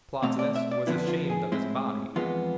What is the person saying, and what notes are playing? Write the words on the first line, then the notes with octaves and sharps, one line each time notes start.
Plotinus was ashamed of his body.
B2 A3 C4 F5
D5
E5
D5
F2 D3 F3 B3 E4
F4
G#4
A2 G#3 C4 E4
F2 E3 G#3 B3 F4